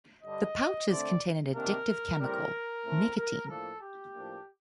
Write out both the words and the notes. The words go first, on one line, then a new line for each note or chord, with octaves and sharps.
The pouches contain the addictive chemical nicotine.
G2 D3 G3 D#5
D3 A3 C4 D5
C3 D#3 A#3 D4 A#4
A2 G3 C4 A#4
A2 A3 C4
A#4
A2 F3 A#3 D4 A4
G4
A2 F3 A#3 D4